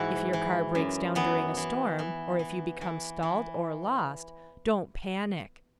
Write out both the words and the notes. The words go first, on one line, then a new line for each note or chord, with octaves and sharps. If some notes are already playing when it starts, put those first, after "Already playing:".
If your car breaks down during a storm, or if you become stalled or lost, don't panic.
Already playing: G#2 E3 E4 F#4
E3
F#2
E3 B3
E3
E3
E3
E3
E3